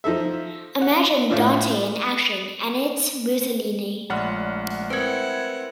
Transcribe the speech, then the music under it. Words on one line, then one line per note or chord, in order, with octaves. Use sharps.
Imagine Dante in action, and it's Mussolini.
F3 D#4 A4 E5
F#5
A2 A3 C#4 D4 E4 F4
A#1 G#3 A3 F#5 F6
C4 E4 A#4 B4 F#5 G#6